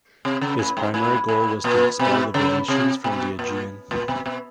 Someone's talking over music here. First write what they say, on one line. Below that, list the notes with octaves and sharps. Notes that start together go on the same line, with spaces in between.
His primary goal was to expel the Venetians from the Aegean.
C3
C#3
A2
G#2
A2
A2
A#2
B2
C#3
C3
B2
A#2
A#2
B2
B2